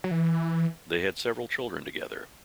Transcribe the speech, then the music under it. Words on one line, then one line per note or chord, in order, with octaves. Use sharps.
They had several children together.
F#3
E3